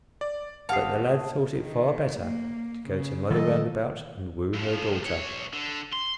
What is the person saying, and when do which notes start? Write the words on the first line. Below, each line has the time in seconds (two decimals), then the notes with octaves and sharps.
But the lad thought it far better to go to Mother Roundabout and woo her daughter.
0.21 D5
0.69 G#1 G4 F5 F#5 A5 D#6 C7
1.58 D#3
2.19 A#3
2.88 C#3
3.30 D#3 F#3 A3 A4 D#5
4.54 G2 F3
5.02 B1 C#5
5.53 D3
5.93 C6